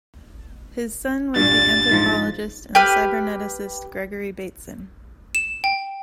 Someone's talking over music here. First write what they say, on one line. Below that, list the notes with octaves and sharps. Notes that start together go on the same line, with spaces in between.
His son was the anthropologist and cyberneticist Gregory Bateson.
G2 A#2 A6
G#2 F3
G4 B4 F6
E7
G5